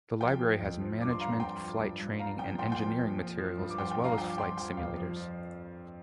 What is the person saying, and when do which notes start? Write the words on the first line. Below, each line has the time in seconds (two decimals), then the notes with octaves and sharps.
The library has management, flight training and engineering materials, as well as flight simulators.
0.21 F3 G5
0.41 F3
0.60 F2
0.80 F3
1.00 G2 D6
1.10 C6
1.20 G2 F5 A#5
1.30 A#5
1.40 F3 G5 C6
1.60 F3
1.80 G2
1.99 G2
2.19 G2 F5 A#5
2.39 F3 G5
2.58 A#2 G5 C6
2.72 G5 C6
2.79 F3
2.99 A#2
3.18 F3
3.38 F3
3.58 G2
3.70 D6
3.78 F3 G5 C6
3.91 G5
3.98 G2
4.04 F5 A#5
4.17 F3 G5
4.30 D6
4.37 F3 G5 C6
4.57 F3 G5
4.77 F2 F5
4.97 F3
5.16 F3